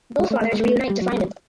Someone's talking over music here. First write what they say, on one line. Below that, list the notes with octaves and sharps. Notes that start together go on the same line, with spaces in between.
Both fathers reunite to find him.
G#3
A3
A3
G#3
A3
G3
F#3
G3